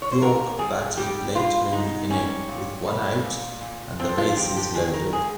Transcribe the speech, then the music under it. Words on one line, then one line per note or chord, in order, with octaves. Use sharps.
Iorg batted later in the inning with one out and the bases loaded.
C#5
C5
A#2 A#4
G3 G#4
G3 G4
G2 F4
G#2 D#4
G3 C#4
A#2
G3
A#2
A#2
F3 C4
F4
F3 G4
G4
D#3 G#4
A#4
G#2 G#4